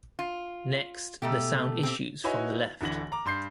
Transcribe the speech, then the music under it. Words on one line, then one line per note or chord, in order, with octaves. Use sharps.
Next the sound issues from the left.
F4
G#2 B2 A3 G4
C4 G4
D#4 E4 F#4 B4 C#5 G#5
D1 D3 E3 A#6 F#7
A#5 D6
G2 C6 G6 C7